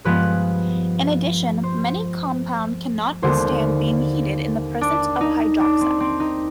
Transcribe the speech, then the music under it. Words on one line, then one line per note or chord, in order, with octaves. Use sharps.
In addition, many compound can not withstand being heated in the presence of hydroxide.
G2 F3 G#3 B3 B4
C5
D#2 D3 G#3 B3 C5
D4
D#4
D4
C4
C4
D#4